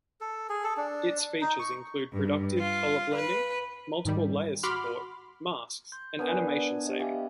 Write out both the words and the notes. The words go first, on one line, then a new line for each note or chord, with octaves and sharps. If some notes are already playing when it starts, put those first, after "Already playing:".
Its features include productive color blending, multiple layer support, masks and animation saving.
A4
G#4
A4
D4
D#4
C#6
G2
F4
B4
G#2 D#3 G3
F#4 B5 C6 D6 F6
C6 G6
B3 D4 A#4 B4 G#5
G4 D#5
G4 E5 F5 G#5